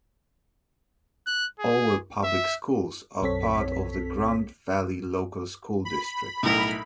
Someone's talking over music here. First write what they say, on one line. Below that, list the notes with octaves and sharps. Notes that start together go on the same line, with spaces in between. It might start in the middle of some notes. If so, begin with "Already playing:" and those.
Orwell Public Schools are part of the Grand Valley Local School District.
F#6
G#4
E5
B1 F#2 C4 A4 C#5 B6
B5
B1 A2 A#4